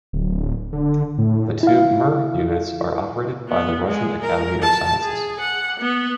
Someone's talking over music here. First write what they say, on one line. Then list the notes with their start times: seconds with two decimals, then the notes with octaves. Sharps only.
The two "Mir" units are operated by the Russian Academy of Sciences.
0.13 D1
0.73 D3
1.18 A2
1.63 E4 F5
3.49 B3
3.87 G#3
4.22 A#4
4.62 A5
5.02 G#4
5.40 F#5
5.80 B3